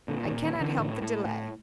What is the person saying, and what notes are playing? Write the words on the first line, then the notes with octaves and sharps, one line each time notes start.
"I cannot help the delay."
A#2 D3
D#3
A#2
D#3
A#2
D3 E3
A2
A2
A2